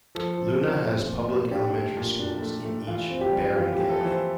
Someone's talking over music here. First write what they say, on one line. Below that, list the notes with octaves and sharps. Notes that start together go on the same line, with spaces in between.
Luna has Public Elementary schools in each barangay.
F3 A4
F3
C4
A3
A#2
A#2
D4 G4
A3
A#2
D4
A3
A3
E3 F4
C4
G4
G3
E3 F4
G4
E3
A4
E3
C5